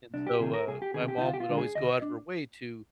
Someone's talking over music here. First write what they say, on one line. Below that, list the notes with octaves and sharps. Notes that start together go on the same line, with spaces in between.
And so, uh, my mom would always go out of her way to
C2 D4
G4
C3 D#3 G#4
A#4
C2 G#4
G4
C3 D#3 G#4
G4
D#4
D2 F4
G4
F4
D3 G#3 D4
G#4
D2 D#5
D4